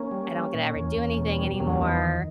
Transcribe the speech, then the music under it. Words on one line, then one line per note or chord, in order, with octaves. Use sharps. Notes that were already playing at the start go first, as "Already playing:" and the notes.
"I don't get to ever do anything anymore,"
Already playing: A#3 C#4
G3
G3
A#2
E2
E2
B2
G3
E2 A#3 C#4
E2 B3 D#4
D#3